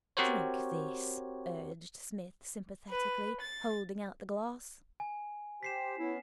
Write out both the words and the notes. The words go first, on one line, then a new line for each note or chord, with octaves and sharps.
'Drink this,' urged Psmith sympathetically, holding out the glass.
C4 F#4 G4 A#4 C5 C#5
B4
A6
G#5
G4 C5 B6 C7 E7
B3 C#4 E4